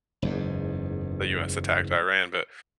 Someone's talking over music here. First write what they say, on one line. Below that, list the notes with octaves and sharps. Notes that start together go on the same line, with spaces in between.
the US attacked Iran, but
F#1 E2 G#2